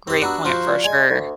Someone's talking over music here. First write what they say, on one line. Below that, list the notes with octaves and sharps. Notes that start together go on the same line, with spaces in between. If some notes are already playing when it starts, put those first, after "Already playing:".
great point for sure.
C4 G4
B3 D4 F#4 G4 A#5 E6
F3 F#4 C5
E4 D5
G#3 D#5 G#5
D2